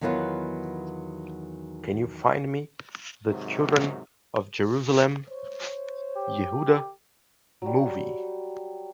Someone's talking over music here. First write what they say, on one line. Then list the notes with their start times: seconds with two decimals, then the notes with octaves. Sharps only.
Can you find me the Children of Jerusalem: Yehuda movie?
0.01 E2 D#3 F#3 B3 F4 B4
3.30 G#2 C3 D#3 F#3
5.29 C5 C#5
6.16 G4
7.62 F#3 G3